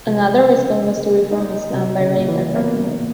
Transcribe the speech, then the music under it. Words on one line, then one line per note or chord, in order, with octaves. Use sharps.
Another response was to reform Islam by reinterpreting it.
C3 F3
C#3
A#3
D#4
C3 F#3
C#3
A#2
E3
A#3 B3
A#2